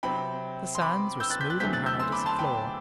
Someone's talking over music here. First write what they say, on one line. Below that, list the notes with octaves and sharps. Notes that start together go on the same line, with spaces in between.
The sands were smooth and hard as a floor.
C3 F#3 C4 G5 B5
C6
B5 D6
E6 G6
F#6 A6
G6 B6
F#6 A6
E2 D3 F#3 A3 C4 G6 B6
F#6 A6
E6 G6
C6 E6
B5 D6
A5 C6
G5 B5